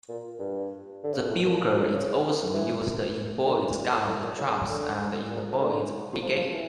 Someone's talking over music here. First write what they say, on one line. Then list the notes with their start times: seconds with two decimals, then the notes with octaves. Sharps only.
The bugle is also used in Boy Scout troops and in the Boys' Brigade.
0.09 A#2
0.39 G2
1.04 D3
1.14 C#3
1.22 A#2
1.31 A2
1.46 A#2
1.93 C#3
2.54 E3
3.46 D3
3.62 C#3
3.77 A#2
3.92 A2
4.07 A2
4.23 A#2
4.38 C#3
4.69 D3
5.30 A#2
5.51 C#3
5.61 D3
6.22 F3
6.37 F3
6.53 E3